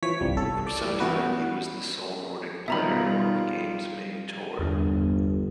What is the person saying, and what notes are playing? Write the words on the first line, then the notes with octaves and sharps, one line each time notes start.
For some time he was the sole Nordic player on the game's main tour.
E3 F3 C#5 B6
G1 C2 G3
A4
D5
E3 G3
E3 B3 F#4 B4
B2 D#3 G3 F4 E5 A#5 B5
G1 E2